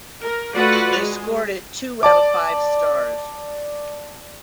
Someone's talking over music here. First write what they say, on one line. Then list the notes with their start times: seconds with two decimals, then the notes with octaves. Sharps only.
They scored it two out of five stars.
0.24 A#4
0.54 A3 F4 F#4 B4 D5 F#5
0.97 G#3
2.03 D5 A5 D6